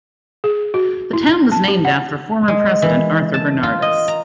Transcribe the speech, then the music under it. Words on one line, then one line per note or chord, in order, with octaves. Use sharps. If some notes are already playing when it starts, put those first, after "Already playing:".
The town was named after former president Arthur Bernardes.
G#4
F#4
E4
A5
G4
F#5
G#3
E3
A5
F4
D#5
A#5